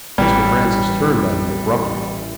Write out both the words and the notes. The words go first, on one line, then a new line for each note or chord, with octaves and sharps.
Mr. Francis turned on him abruptly.
A1 E3 G3